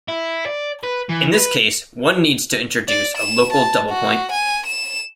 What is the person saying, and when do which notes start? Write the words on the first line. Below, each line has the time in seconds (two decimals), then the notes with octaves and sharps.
In this case, one needs to introduce a local double point.
0.08 E4
0.46 D5
0.83 B4
1.09 E3
1.34 B4
2.88 D5
3.16 E7
3.52 A5
3.90 F#4
4.32 G#5
4.66 E7